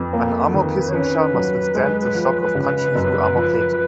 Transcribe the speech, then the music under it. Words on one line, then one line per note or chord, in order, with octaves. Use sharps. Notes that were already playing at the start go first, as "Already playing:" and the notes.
An armor-piercing shell must withstand the shock of punching through armor plating.
Already playing: F2 B4
A#3
D#3
C#5
C#4 B4
F#3
G#3
F3
C#3
F#2
F3